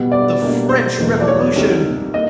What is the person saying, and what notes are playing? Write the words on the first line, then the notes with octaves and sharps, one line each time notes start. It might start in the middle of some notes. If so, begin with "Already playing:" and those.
"The French Revolution!"
Already playing: B2 G3 B3
D5
B2 G3 A#3 D4
C5
E2 B2 F#3 A#3
D5
C#5
C2 C3 D#3 G3
A#3 D#5